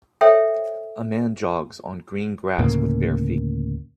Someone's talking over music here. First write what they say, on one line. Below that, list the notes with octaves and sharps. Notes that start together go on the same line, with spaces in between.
A man jogs on green grass with bare feet.
A4 C5 C#5 E5 G5
D2 A2 C#3 A#3